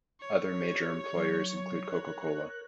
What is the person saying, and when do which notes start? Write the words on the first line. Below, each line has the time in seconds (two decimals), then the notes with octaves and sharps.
Other major employers include Coca-Cola.
0.21 C#5
0.61 G4
1.13 F#3
1.89 A#4 F#6